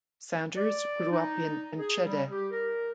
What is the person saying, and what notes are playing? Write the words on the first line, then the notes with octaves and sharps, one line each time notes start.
Sanders grew up in Enschede.
D5
D#4
G#4
G3
G4
A#4